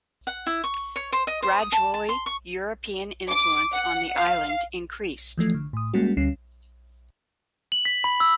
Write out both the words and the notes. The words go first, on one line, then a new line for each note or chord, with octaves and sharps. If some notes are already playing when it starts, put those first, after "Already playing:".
Gradually, European influence on the island increased.
F#5
E4
C#6
C#5
C5
D#5
C5
D#6
A5
A5
C6
C#6
D6
F#5
F5
E3 F3 A3
D3
A2 D#6
G3 G#3 A#3 C#4 F#4
D2 G3 C#4 C7
F#7
B6
B5
E6